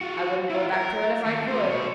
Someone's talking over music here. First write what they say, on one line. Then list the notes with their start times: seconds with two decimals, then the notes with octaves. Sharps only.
I wouldn't go back to it if I could.
0.01 F4 F#4
0.50 E4 F4
0.72 A#4
1.26 D#2 A3
1.48 F#4 C5
1.68 B2 C#5